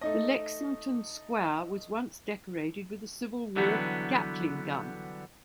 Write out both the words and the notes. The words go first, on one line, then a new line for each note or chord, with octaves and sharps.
The Lexington Square was once decorated with a Civil War Gatling gun.
A3 D#4 D#5
D3 E3 F#3 G3 B3